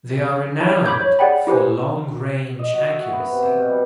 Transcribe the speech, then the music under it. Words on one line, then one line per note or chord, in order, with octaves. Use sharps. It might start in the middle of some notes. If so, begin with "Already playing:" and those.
They are renowned for long-range accuracy.
E4 C#5 A5
B5 D6 G6 G#6
C#5
G#4 D5 F#5 G5 B5
E4 G4 B4 C5 G#5
D#5
F#4
E5
F#4
B3
C3
C3
B2
G3